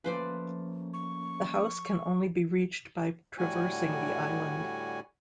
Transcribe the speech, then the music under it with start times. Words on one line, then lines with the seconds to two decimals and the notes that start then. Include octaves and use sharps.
The house can only be reached by traversing the island.
0.04 F3 A3 A#3 C#4 B4 C5 D5
0.94 C#6
3.38 A2 D3 G3 F#4 G#5